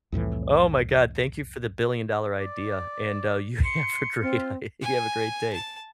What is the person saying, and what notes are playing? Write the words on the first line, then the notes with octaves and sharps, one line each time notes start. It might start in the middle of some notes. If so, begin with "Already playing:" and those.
Oh my god. Thank you for the billion-dollar idea, and, uh, you have a great day you have a great day.
C2 F2 A2 E3
D5
C6 C#7
C4 F4
G#5
A5